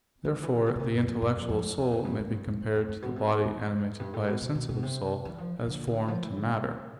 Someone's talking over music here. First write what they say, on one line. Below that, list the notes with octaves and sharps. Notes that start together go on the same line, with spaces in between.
Therefore the intellectual soul may be compared to the body animated by a sensitive soul, as form to matter.
E3
D3
E3
C3
D3
B2
C3
G2
E2
F2
G2
F2
F2
E2
F2
G2
A2
G2
F2
E2
F2
G2
B2
C3
A2
F2
G2
A2
B2
B2
B2
B2
C3
E3
F3
D3
D3
F3
E3
D3
C3